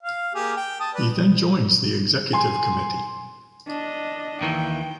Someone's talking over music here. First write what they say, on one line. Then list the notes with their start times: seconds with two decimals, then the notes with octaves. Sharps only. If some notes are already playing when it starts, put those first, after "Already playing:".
He then joins the executive committee.
0.03 F5
0.35 A#3 G4 G#4
0.57 G5
0.80 A5 D#6
0.94 B4 D5
2.33 G#5 C6
3.67 D4 D#5
4.41 D#2 D#3 E3 G5